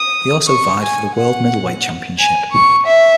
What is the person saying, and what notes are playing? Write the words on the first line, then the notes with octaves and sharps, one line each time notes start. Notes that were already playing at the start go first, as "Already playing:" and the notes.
He also vied for the world middleweight championship.
Already playing: D#6
C#6
G#5
F#5
G#5
C#6
E5